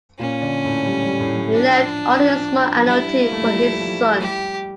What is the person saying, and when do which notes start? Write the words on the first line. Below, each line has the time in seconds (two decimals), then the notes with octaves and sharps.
He left only a small annuity for his son.
0.19 A#2 A#3 C#4
0.41 D3 D4
0.64 A2 A3
0.86 G3
1.04 G3
1.20 A2 A3
1.36 G3
1.53 F3 D4
2.20 F3
2.75 F3
2.87 G3 E4
3.21 A#3
3.32 A3
3.42 G3
3.54 F3
3.79 F3
3.87 G3
4.12 A3
4.19 G3 G4